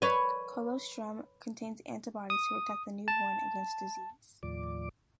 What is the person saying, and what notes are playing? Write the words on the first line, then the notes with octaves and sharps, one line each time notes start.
Colostrum contains antibodies to protect the newborn against disease.
B4 C#5
D#6
A5
D#2 A2 F3 D5 D6